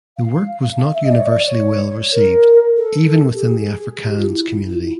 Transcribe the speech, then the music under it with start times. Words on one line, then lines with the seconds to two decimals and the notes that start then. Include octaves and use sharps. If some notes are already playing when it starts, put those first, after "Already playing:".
The work was not universally well received even within the Afrikaans community.
0.17 F5
0.93 E5
1.04 D#5
1.11 D5
1.19 C#5
1.26 D5
1.47 C#5
2.12 A#4
2.76 A4
3.34 G4
3.42 G#4
4.06 G4
4.17 F4
4.27 E4
4.70 F4
4.82 E4